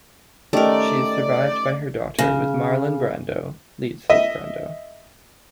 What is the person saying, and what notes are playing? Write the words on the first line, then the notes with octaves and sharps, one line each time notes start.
She is survived by her daughter with Marlon Brando, Lisa Brando.
A3 C#4 D#4 G4 A#4 D5
C#3
D#5 E5